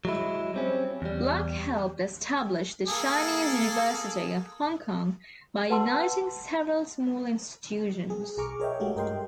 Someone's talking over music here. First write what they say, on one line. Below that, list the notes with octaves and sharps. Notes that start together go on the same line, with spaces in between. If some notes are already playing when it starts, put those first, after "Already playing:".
Black helped establish the Chinese University of Hong Kong by uniting several smaller institutions.
F#3 G#3 E4
G3 C4 C#4
E2 G3
A#3 G#4 A4
B4 F#5 A5 C6 E6
G#4
B1 G#4 A#5 C#6 D6 F6
G#4 A#4 C#5 D#5 E5 G5
G#3 A3 F#4 G4 A4
G2 A#4 D#5 G5 C6